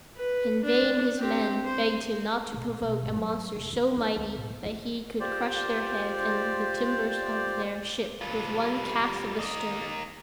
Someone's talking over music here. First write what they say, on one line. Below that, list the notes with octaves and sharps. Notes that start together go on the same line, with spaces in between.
In vain his men begged him not to provoke a monster so mighty that he could crush their heads and the timbers of their ship with one cast of a stone.
B4
D4
C4 G4
C5
A#1
B2
G#1
F#3
F1
D3
D#4
D2
A2
A#3
F4
F4 G4 C5 D5
G3 F4
A#3 D#4